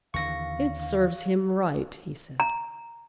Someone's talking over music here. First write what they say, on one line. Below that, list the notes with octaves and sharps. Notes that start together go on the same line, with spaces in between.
"It serves him right," he said.
D#2 D3 E3 F5 C#6 A#6
A#5